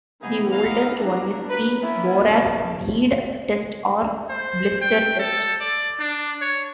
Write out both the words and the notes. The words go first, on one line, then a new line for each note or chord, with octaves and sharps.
The oldest one is the borax bead test or blister test.
C3 E3 B3 D#4 G#4 A#5
D#4 F5
A#3 D4
A#4 B4
E3 A#3 B3 C#4 E4
A5
C5
G5
A4
D5
D4
C#5